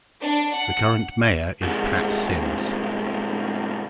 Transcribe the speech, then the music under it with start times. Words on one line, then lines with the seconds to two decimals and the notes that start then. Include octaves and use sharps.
The current mayor is Pat Sims.
0.21 D4
0.55 F#5
1.62 C2 G#2